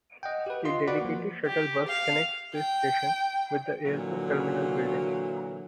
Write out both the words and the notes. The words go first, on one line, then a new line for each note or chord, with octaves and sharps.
A dedicated shuttle bus connects this station with the airport terminal building.
D#5 F#5 G5
G4 B4
F4 D#5 C6
F#4 B4 D5 F#5 B5 D6
F3 A#3
G4
F5
G5
A#2 D3 E3 F#3